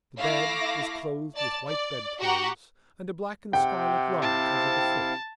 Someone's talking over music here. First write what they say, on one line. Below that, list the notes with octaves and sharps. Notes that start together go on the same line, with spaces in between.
The bed was clothed with white bedclothes and a black and scarlet rug covered the foot.
A3 E4 F5 D6 A#6
D5 A5 A6
D5
F#4 G4 F#5 A#5 C#6
C3 F#5 G5
C4 E4 F5 A5